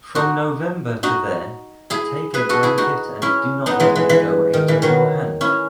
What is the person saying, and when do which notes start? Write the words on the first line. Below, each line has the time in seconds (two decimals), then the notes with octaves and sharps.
From November to there, take a blanket and do not let it go out of your hand.
0.15 D#4 F#4
1.03 D#4 F#4
1.90 E4 G#4
2.34 G#4 B4
2.49 F#4 A4
2.63 E4 G#4
2.78 D#4 F#4
3.22 C#4 E4
3.66 B3 D#4
3.80 E3 G#3
3.96 E3
4.09 E3
4.53 D#3
4.68 E3
4.82 D#3 F#3
5.41 C#4 E4